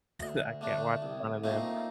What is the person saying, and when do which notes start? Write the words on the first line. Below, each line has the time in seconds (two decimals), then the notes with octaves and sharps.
that I can't watch in front of them.
0.20 D2
0.61 D3 A3 D4
1.02 C2
1.44 A#2 A3 C4 D#4